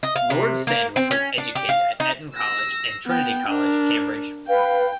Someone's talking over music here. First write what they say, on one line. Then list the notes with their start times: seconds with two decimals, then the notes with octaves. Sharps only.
Lord Sandwich was educated at Eton College and Trinity College, Cambridge.
0.03 D#5
0.16 F5
0.30 C3
0.67 A#3
0.96 C4
1.11 C#4
1.38 D4
1.55 G4
1.69 F5
2.00 D#4
2.35 E6 A#6
3.07 B3 G5
3.47 D4 A#4
4.48 B4 F5 G5